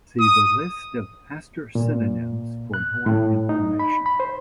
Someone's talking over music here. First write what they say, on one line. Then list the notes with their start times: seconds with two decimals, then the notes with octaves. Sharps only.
See the List of "Aster" synonyms for more information.
0.20 D#6
1.75 A#2
2.74 F#6
3.06 A2
3.49 D#4
3.79 B5
4.06 B5
4.20 C5